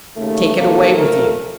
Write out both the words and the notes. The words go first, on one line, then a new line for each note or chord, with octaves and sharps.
"Take it away with you."
D#2 C#3 A3
C3 D#3 F#3 A#3 A4
A#2 F3 A3 A#4